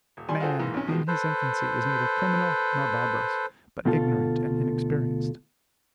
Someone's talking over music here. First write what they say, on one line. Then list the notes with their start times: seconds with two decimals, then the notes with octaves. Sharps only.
Man, in his infancy, is neither criminal nor barbarous, but ignorant and inexperienced.
0.17 D#1
0.29 G3 G#5 C6
0.40 F4 F#4 G#4 A4 C5 G5
0.59 G#2 E3 A#3
0.74 B1 C#4
0.87 B2 D#3 F3 G#3
1.08 A4 B4 C5
3.85 D2 B2 F4 A4